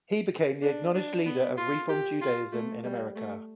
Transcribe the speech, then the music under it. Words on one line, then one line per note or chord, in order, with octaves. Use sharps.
He became the acknowledged leader of Reform Judaism in America.
D4
D4
B3
F4
G4
F4
A3
G3
A3